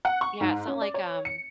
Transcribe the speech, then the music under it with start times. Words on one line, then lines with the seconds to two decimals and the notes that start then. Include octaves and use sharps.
Yeah, it's not like, um,
0.05 F#5
0.21 C#6
0.41 G#2
0.68 C#4
0.82 D5
0.94 C#5
1.25 C#7